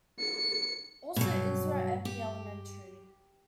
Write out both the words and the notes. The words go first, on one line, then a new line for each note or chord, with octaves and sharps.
Also Ezra Eby Elementary.
C#7
G2 B2 F#3
G4